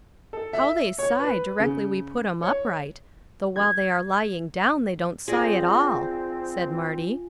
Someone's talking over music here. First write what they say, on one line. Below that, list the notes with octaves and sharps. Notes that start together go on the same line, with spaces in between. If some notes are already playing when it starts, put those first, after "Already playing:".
"How they sigh directly we put 'em upright, though while they are lying down they don't sigh at all," said Marty.
A4
E5
C#5
B4
C#3
C#5
G#6
C4 F4 G#4 D5 G#5 A#6